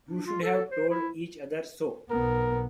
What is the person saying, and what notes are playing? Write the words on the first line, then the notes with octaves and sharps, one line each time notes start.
You should have told each other so.
D4
F4
A4
C5
E4
B1 B3 A#4